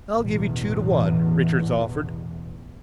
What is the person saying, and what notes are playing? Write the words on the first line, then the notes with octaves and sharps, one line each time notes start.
"I'll give you two to one," Richards offered.
A1 E2 B2